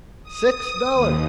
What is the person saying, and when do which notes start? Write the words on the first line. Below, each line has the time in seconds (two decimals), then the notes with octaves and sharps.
"Six dollars."
0.23 D#6
0.94 D#2